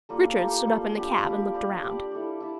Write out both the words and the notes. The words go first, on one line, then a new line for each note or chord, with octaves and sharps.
Richard stood up in the cab and looked around.
G3 A#3 F4 A4
G3 A#3 F4 A4
G3 A#3 F4 A4
G3 D4 G4 D5
G3 D4 G4 D5
G3 D4 G4 D5
G3 D4 G4 D5
E4 A4 D5
E4 A4 D5